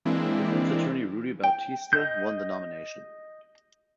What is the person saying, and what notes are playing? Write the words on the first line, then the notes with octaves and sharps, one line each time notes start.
Defense attorney Rudy Bautista won the nomination.
E3 G#3 A#3 C4 D4 E4
G5
D#5 G6